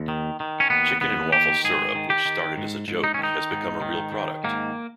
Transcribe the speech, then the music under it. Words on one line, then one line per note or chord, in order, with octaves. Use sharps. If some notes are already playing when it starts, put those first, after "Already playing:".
Chicken 'N Waffles syrup-which started as a joke-has become a real product.
Already playing: D#2
D#3
D#3
C#4
D#2 B3
D#2 B3
D#3 G4
G#2 G#4
D#3
G4
D#3
G#2
G#2
D#4
C#4
D#3 D#4
G#2
D#3
D#3
G#2 A#3